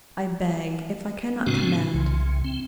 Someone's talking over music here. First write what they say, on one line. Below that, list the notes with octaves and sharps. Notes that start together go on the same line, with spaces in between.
I beg--if I cannot command.
A2 C#3 G#3 C4 D4 F#4
C2 C#3
C4